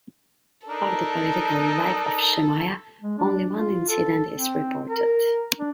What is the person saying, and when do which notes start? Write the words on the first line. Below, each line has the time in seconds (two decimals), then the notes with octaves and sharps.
Of the political life of Shemaiah only one incident is reported.
0.67 D4 D#4 A4 A#4
3.02 G#3
3.18 D4
3.54 F4
3.89 A4
4.33 C4
4.88 A#4
5.59 D4